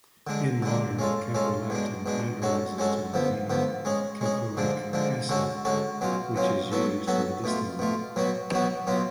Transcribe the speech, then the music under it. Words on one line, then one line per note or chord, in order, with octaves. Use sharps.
In water, caprolactam hydrolyzes to aminocaproic acid, which is used medicinally.
D3 G#3 D4
D3 G#3 D4
G#3 C#4 F4 A4
G#3 C#4 F4 A4
B2 G#3 D4
B2 G#3 D4
G#3 C#4 F#4 A4
G#3 C#4 F#4 A4
D3 F3 B3
D3 F3 B3
G#3 C#4 G#4
G#3 C#4 G#4
D3 F3 G#3 D4
D3 F3 G#3 D4
D3 G#3 C#4 F#4 A4
D3 G#3 C#4 F#4 A4
B2 F#3 C#4 F4
B2 F#3 C#4 F4
F#3 B3 F#4 A4
F#3 B3 F#4 A4
B2 A3 F4
B2 A3 F4
B2 F#3 B3 F#4
B2 F#3 B3 F#4
B2 F#3 B3 F4